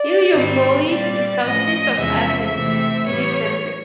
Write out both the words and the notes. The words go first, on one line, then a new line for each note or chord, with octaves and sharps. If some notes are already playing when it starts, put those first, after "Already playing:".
Ilioupoli is southeast of Athens city centre.
Already playing: D5
G#2 D#3 G3 C4
A#2 G3 C4 D5
A2 F3 A3 C#4 D#5
E2 C3 F3 G#3 C#4 E5
C3 E3 A3 C4 E5
A2 E3 G3 B3 C#5